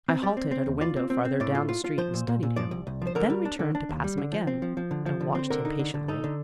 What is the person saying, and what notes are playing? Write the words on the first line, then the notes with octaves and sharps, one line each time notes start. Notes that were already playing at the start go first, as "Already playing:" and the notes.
I halted at a window farther down the street and studied him; then returned to pass him again, and watched him patiently.
C4
G3 D5
C4
C4
D#2
F4 D5
C4
C4
C4
A2 D5
F4
F4
F4
F3 C5
A#2
A#2
A#2
F3 D5
C2
C2
F3
C5
D3 A#4
G3
D4
D3
D4
D#2
G3
D3
F3
C4
F3
F3
D3
F3
D3
C4 C5
D3 A#4
D#4
D3
D3
D#4 A4
D3